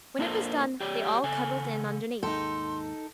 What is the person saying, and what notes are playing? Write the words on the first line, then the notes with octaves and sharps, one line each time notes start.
When it was done they all cuddled in underneath.
A#3 D4 F4 A4 A#4 C5
G4 C#5 D5
C#3 A4 G#5
D#2 G#2 D#4 A4 G5 C6